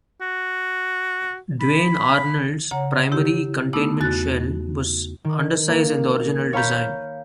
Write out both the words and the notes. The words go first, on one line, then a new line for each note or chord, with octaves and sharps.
Duane Arnold's primary containment shell was undersized in the original design.
F#4
B5
C#3 C#5 F#5 A#5
E4 G4
A3 B3 D#4 D6 E6
E2 F#4 F#6 A6
D#3
A#3
C#5 F5 A#5 B5 G6